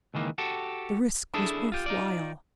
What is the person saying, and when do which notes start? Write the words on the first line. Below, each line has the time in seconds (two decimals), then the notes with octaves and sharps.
The risk was worth while.
0.14 C#2 D#3 E3 A#3
0.38 F#4 G4 A4
1.34 D4 E4 G#4 A4
1.72 F4 G4
1.86 D#4 F4 D5